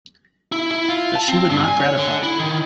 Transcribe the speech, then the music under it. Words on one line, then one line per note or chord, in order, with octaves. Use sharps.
But she would not gratify it.
E4
E4
F4
A5
C4
G2
G#5
C#5
D3
E4
D#3